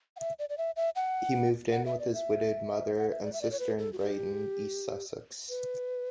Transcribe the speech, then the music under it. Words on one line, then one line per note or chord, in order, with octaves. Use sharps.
He moved in with his widowed mother and sister in Brighton, East Sussex.
F#5
E5
D5
D5
E5
E5
F#5
F#5
E5
D5
E5
F#5
E5
D5
E5
D5
C#5
B4
A4
F#4
G4
B4